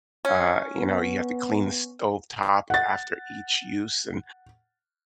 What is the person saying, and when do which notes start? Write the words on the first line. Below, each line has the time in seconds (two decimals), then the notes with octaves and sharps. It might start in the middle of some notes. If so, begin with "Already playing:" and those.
uh, you know, you have to clean the stove top after each use and
0.25 C#4
0.76 B3
2.70 F#5 A6